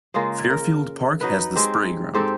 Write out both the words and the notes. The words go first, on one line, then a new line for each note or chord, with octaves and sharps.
Fairfield Park has the Sprayground.
C#3 G#3 A#3 F4
A#4
F#3 D#4 B4
G#3 C4 G4
G#2 C4 G4 A4